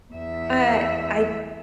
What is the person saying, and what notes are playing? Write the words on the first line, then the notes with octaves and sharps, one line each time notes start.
uh, I
E2 E5